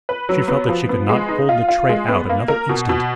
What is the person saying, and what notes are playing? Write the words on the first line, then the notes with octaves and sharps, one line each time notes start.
She felt that she could not hold the tray out another instant.
B4
F#3
B3
F3
B3
G#3
D#4
F4
F4
G#3
B3
A#3
A#4
B2
B2